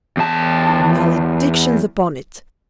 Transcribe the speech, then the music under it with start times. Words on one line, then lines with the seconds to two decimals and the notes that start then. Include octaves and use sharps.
Maledictions upon it!
0.17 E2 A5